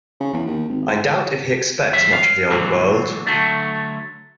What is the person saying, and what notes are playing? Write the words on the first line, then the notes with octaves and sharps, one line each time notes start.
I doubt if he expects much of the old world.
C#3
E2
D#2
G#1
G#2
B1 F#2 D#3 F4 E5
F5
A#2 D3 E3 F#3 G#3
D3 F#3 A3